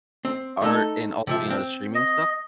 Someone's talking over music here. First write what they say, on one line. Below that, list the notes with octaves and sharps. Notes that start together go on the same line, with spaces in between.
Art and also, you know, the streaming stuff,
C4
A3 D#4 A4
C3 F3 E5
C4
D#5